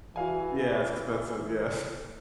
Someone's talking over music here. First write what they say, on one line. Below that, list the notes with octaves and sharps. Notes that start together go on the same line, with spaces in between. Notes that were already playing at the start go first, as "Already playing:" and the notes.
Yeah, it's expensive. Yeah.
E3 F#4 F5 G#5